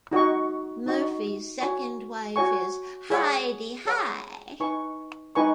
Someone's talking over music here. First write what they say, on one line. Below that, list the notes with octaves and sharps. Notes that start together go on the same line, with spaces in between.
Murphy's second wife is Hi-de-Hi!
D#4 F#4 D#5 F#5 C#6
D#4 F#4 D#5 F#5 C#6
F#4 C#5 G#5 C#6
F#4 C#5 G#5 C#6
G#4 C#5 F#5
G#4 C#5 F#5
D#4 B4 G#5 C#6
D#4 B4 G#5 C#6